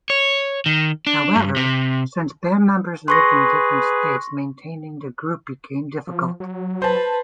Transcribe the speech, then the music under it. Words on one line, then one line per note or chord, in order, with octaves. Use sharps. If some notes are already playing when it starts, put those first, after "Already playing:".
However, since band members lived in different states maintaining the group became difficult.
C#5
D#3
D4
G2
C3
G#4 B4 C6 C#6 A#6
F3
F#3
B4 C5 A5